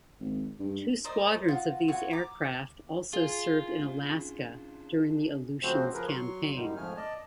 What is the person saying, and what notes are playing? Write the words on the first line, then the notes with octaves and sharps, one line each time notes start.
Two squadrons of these aircraft also served in Alaska during the Aleutians campaign.
G#1
G2
A#4 C5 D5 D#5
F4 F#4
F4 F#4 C#5 G#5
A#5 D6
F4 G#4
C#4 D4
C#3 F3 A3 C4 F#4 C5
F3 G#4 A#4 B4
F#3 C6 C#6
F#2 D3 G3 D#4
F2 G#2 F3 A3 G#5 F6
D5 D#5 A5